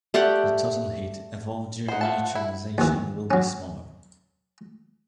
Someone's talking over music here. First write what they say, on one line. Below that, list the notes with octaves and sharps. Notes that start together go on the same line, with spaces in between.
The total heat evolved during neutralization will be smaller.
A3 G4 D5 F#5
D#4 C5 F#5
F3 A3 A5
E4
D#2 E3
F#3 C#4